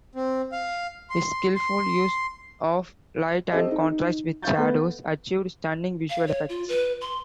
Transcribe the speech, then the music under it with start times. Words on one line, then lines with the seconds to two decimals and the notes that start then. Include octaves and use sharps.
His skilful use of light and contrast with shadows achieved stunning visual effects.
0.15 C4
0.52 F5
1.10 C6
1.56 C6
3.52 C4 G4 A4 C5 D#5
3.71 D#4
4.43 E5 F5 C#6 G6 A6
4.57 A3 B3 B4
6.10 F5
6.27 C#5
6.49 F4
6.69 B4
7.01 C6